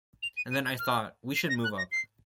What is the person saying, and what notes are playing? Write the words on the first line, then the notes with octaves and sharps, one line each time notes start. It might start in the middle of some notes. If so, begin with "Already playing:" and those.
And then I thought, 'We should move up.
F7
D#7
D#7
G#6
F6
C7
A#6
F#6
A#6
C7